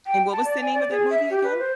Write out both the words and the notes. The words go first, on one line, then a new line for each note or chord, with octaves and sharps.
And what was the name of that movie again?
G5
A5
D5
G#5
D5
G#4
E5
G4
B4
C5